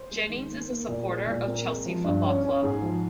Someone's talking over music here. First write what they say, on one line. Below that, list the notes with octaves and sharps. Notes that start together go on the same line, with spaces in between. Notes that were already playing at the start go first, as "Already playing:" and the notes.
Jennings is a supporter of Chelsea Football Club.
Already playing: C5
G#3
D#3
A#3
A#3
A#2
G#3
A#2
C4 A#4
G#3
F3
G2
C#4
C#4
G#2 G#4
F3